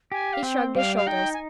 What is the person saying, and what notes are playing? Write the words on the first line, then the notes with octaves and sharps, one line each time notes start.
He shrugged his shoulders.
G4 G#5
F5
C4 G5
G3 F5
F5
D#4 G5
G#5